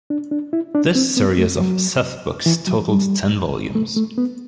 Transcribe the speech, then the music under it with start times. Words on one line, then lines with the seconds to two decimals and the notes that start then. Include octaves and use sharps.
This series of "Seth books" totaled ten volumes.
0.10 D4
0.31 D4
0.53 E4
0.75 D4
0.95 C4
1.17 B3
1.38 A3
1.60 F#3
2.46 E3
2.67 F#3
2.89 G3
3.75 A3
3.96 A3
4.18 B3